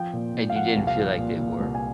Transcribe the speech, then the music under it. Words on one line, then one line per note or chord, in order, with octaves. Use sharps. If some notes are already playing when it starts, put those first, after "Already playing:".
And you didn't feel like they were?
Already playing: F3 G5
A#2
A#2
F5
F3 F#5
C2
F5
F3
A#2
A#2
C2
G#5